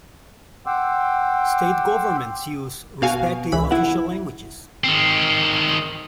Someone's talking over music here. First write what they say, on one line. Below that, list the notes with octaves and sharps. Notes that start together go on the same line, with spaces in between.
State governments use respective official languages.
F#5 G5 C6 D6 E6
B2 F#4 F5 G#5
C#2 E3 B5
E4 F#5
D#3 C4